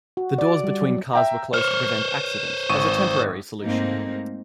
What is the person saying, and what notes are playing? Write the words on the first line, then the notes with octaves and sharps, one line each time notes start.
The doors between cars were closed to prevent accidents as a temporary solution.
F#4
D5
G3
F#3
E5 G5 A#5
C5 C#5 F6
G#1 C#6 D#7
G#2 A3 A#3 C4 D#4